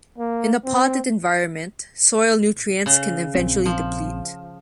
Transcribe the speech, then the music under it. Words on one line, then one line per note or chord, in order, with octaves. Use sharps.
In a potted environment, soil nutrients can eventually deplete.
A#3
C4
C#3
A#1 C4
F3